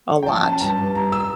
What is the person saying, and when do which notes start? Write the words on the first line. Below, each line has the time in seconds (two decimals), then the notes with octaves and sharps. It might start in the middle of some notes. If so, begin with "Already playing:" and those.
a lot.
0.10 C#5
0.23 G5
0.26 F3 A5
0.44 C#4 A5
0.61 G2 A5
0.77 G2
0.95 G3 A#5
1.12 F4 E6